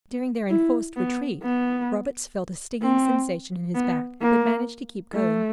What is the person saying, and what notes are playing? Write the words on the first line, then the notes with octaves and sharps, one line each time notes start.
During their enforced retreat, Roberts felt a stinging sensation in his back, but managed to keep going.
E4
B3
B3
C4
B3
A#3
A3